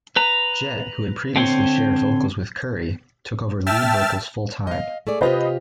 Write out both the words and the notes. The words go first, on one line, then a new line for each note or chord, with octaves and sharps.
Jett, who had previously shared vocals with Currie, took over lead vocals full-time.
B4 A#5
D3 C4 C5 C#5
E5 G5 A5 E6 F6 A6
D#5 F5
A3 G#4 D5
C3 F4 G4 B4 C5 D#5